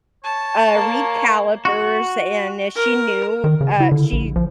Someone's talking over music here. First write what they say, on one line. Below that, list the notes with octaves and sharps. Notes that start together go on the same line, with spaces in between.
uh, read calipers, and i she knew uh, she
C#5 A5
A#3
F#4
A#4
D#3
C#3
E4
D3
A#1
F3